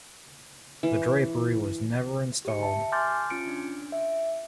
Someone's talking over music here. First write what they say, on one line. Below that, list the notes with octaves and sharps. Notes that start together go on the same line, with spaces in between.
The drapery was never installed.
E3
G4 C#7
E5 A5
G#5 C6 D6 F6 G6 A6
C#4 F4 C#7 D7
D4
E5